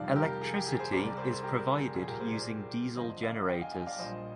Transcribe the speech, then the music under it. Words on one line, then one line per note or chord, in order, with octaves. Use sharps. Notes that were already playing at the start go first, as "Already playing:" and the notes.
Electricity is provided using Diesel generators.
Already playing: F2 C3 D#3 G3 D5 F5
G4 A#4
G#4
G4
G#4
G#4 C5
C2 C3 G3 A#4 D5
A#4 D5
G#4 C5
G#4
G4 A#4
G#4
C2 A#2 F3 G#4
G4 A#4
G#4 C5
A#4 D5
G1 G2 F3 C5 D#5
D5 F5
D#5 G5
F5 G#5
F5 G#5
D5 F5
A#1 A#2 G3 C5 D#5